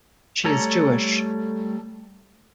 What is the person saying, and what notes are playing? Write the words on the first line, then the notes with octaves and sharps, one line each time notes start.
She is Jewish.
G3 A3 A4 C#5 A#5